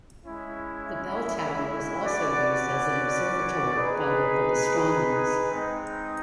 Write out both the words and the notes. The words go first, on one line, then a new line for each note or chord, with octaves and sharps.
The bell tower was also used as an observatory by local astronomers.
G#3 C#4 E4
C#4 F#4 B4 D5 F#5
D#4 G#4 B4
G#3 C4 D#4